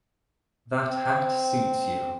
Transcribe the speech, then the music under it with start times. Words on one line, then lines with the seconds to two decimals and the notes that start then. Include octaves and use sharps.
That hat suits you.
0.89 C4